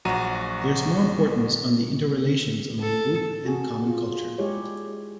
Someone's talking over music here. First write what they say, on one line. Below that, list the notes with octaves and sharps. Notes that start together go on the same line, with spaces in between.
There is more importance on the interrelations among group and common culture.
A#1 F#3 F#4 A#5 D#7
A4
F#4 G#4
F4
G#3 E4 G4 G#4 C#5